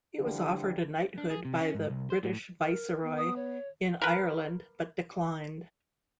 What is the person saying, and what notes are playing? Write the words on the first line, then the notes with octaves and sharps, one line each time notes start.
He was offered a knighthood by the British Viceroy in Ireland, but declined.
D3 E3 F3 G3
D4
G#4
C3
C#4
G#2
C2
C5
A2
A#4
B3
D#6
C#5
A#4 B4